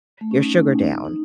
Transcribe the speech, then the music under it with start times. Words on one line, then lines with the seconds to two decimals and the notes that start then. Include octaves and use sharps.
your sugar down.
0.21 A3
0.31 C#4
0.41 D#4
1.05 D#4